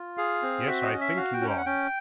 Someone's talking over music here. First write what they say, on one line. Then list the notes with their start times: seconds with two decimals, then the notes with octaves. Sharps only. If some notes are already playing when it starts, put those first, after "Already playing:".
'Yes, I think you are.
Already playing: F4
0.17 G#4 F5
0.42 C4
0.67 F#4 E5
0.83 D#5
0.92 C#4
1.01 E5
1.16 F#4 F5
1.33 G5
1.41 C#4
1.50 G5
1.58 F#5
1.66 C#4 G5